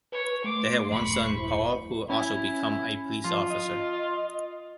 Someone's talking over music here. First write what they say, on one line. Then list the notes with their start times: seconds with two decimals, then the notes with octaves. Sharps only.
They had one son, Paul who also became a police officer.
0.12 B4 C#5
0.44 A3 C6 D6
0.90 D#1 F#2 B5 C#6
1.37 E4 C5
2.10 C#4 E4
3.24 F3 F4
3.50 D#5